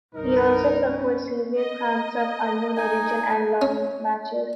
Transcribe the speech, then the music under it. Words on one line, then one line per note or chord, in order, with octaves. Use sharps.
He also suffered severe cramps of unknown origin in long matches.
G1 C2 D#4 A#4
C#4
D#5
D#4 G#5
C#4